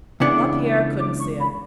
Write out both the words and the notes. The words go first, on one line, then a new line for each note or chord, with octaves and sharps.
Lapierre couldn't see it.
C#2 C#3 E3 B3 D4 D6
D6
C#6
B5